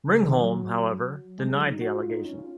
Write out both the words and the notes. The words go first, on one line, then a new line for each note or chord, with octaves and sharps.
Ringholm, however, denied the allegations.
C#3
D#3
F#3
G#3
F#3
D#4
F#4
F4
D#4
C#4
F4